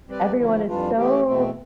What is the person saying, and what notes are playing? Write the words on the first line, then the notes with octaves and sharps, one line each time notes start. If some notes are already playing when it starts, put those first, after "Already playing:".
everyone is so,
G3 C4 G4 B4 D5
D3 F3 A3 E4
F2 E3 G3 D4 F4
E3 A3 C4 G4
E2 B2 A3 C4